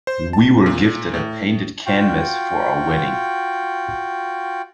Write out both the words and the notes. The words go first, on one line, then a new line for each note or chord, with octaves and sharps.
We were gifted a painted canvas for our wedding.
C5
A5
A#2
A2
F4 F#4 G5